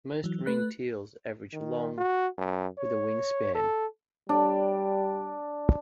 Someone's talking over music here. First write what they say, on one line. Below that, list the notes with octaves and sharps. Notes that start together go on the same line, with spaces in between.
Most ringed teals average long, with a wingspan.
E3 F#3
A3 B4 F#6
D#3
F#4
F#2
C#5
A4
G3 D4